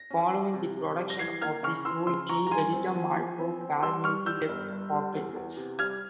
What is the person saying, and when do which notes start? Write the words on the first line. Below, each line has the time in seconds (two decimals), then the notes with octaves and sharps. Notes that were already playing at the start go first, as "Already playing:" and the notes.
Following the production of "The Soul Key", editor Marco Palmieri left Pocket Books.
Already playing: A#6
0.10 C#4
0.33 G3
0.54 C3
0.77 C3
0.99 G3
1.10 A#6
1.19 E3 G#6 C7
1.41 A#3 F6 G#6
1.63 C#3 C#6 F6
1.85 E3 C6 E6
2.07 C#3 C6 E6
2.29 E3 A#5 C#6
2.47 A#5
2.50 G2 G#5 C6
2.72 C4
2.95 F3
3.16 F3
3.39 C4
3.61 C4
3.82 G3 C6 E6
4.04 G2 C#6 F6
4.26 G3 E6 G6
4.48 G1
4.70 G2
4.92 G3
5.14 E2
5.36 E2
5.57 C3
5.79 G3 F6 G#6